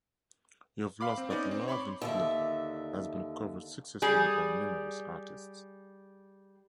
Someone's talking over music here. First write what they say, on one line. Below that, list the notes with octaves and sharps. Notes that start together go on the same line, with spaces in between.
"You've Lost That Lovin' Feelin'" has been covered successfully by numerous artists.
F5 B5 D6
C4
B3 C#4 D#4 D5
C4
C#5 B5 C6 D6
D#2 D3 E5
G3 G#4